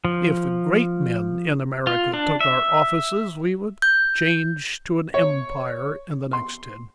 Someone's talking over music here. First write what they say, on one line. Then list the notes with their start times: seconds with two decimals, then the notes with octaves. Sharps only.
If the great men in America took our offices, we would change to an empire in the next ten years.
0.05 F3
1.87 F4
2.14 D4
2.41 E5
3.82 G6
5.14 C#5
6.33 C6